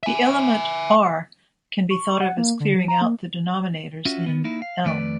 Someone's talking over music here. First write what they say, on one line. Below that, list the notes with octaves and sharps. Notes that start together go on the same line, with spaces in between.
The element "r" can be thought of as clearing out the denominators in "I".
E5 G#5
C#6
F#5
A#3
D3
F#3
A#5
A#3
C#4 F4 F#4 E5
D#3 B3
A#3 D#4 E4
F5
F2 D#3 A3 B4 D5